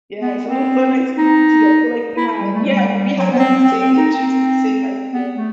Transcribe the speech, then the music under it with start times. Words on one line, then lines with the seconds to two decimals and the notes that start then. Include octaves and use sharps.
Yes, it was so nice speaking to you, I feel like we had yeah, we had, like, the same interests and same ideas.
0.21 B3
0.45 C4
1.18 D#4
2.17 E4
2.41 G3
2.54 A3
2.65 G3
2.91 G3
3.15 F#3
3.32 B3
3.39 C4
3.63 C4
3.80 C4
3.97 D#4
4.13 C4
5.11 B3
5.35 A3